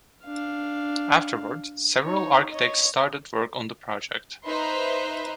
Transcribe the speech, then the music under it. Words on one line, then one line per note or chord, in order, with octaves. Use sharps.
Afterward, several architects started work on the project.
D4 F5
D#4 C#5
C#5 D#5
D#4 B4 C5 E5 A#5 C6